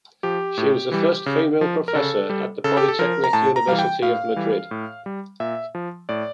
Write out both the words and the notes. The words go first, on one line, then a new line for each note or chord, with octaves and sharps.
She was the first female professor at the Polytechnic University of Madrid.
F3 G4
A2
E3 G3
C#3
F3
A#4
C#3 A4
G3
C#3 A4
G4
A4
F3 A#4
A#5
A2 A5
A#5
E3 G3 F5
G5
A2 F5
E3 G3
A2
G3
A#2 E5
F3
A2 D5